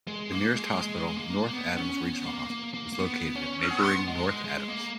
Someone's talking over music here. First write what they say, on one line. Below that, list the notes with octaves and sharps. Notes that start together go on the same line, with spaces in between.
The nearest hospital, North Adams Regional Hospital, is located in neighboring North Adams.
G#3
A#3
G#3
G#3
G#3
A#3
B3
C#4
B3
A#3
A#3
A#3
A#3
B3
C#4
B3
G#3
G#3
A#3